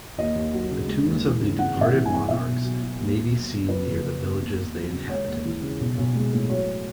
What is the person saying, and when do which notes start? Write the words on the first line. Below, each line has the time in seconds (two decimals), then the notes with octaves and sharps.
The tombs of the departed monarchs may be seen near the villages they inhabited.
0.18 D#2 D#5
0.35 D#2
0.54 F#3
0.71 C#3
0.88 G#3
1.06 D#2
1.24 E3
1.40 C#3
1.58 G#1 F#5
1.76 G#1
1.81 E5
1.94 E3
2.05 G#5
2.11 G#2
2.29 B1 E5
2.46 B1
2.63 F#3
2.81 B2
2.98 D#2
3.16 D#2
3.34 F#3
3.52 C#3
3.69 F#3 B4
3.87 F#1
4.04 C#3
4.22 E2
4.40 D#2
4.57 D#2
4.74 F#3
4.92 C#3
5.09 G#3 C#5
5.27 D#2
5.45 E3
5.62 C#3
5.80 B1
5.98 B1
6.15 G#3
6.33 A2
6.49 F#3 C#5